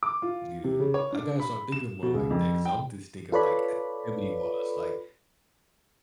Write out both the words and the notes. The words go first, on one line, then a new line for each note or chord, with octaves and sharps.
Yeah. I gotta start thinking more like that 'cause I'm just thinking, like, activity-wise. Like,
D6
F4
C3
C#3
C#5
D4
B5
E7
B2
C#2
F2
G5
F4 A4 B4 C#5 D5 B5